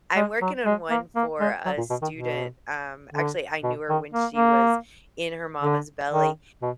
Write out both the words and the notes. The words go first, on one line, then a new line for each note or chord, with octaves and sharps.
I'm working on one for a student, um, actually I knew her when she was in her mama's belly,
G#3
F#3
G#3
A#3
A#3
G#3
F#3
A#2
B2
D#3
B2
D3
B2
D#3
A#3
A#3
D3
D#3
B2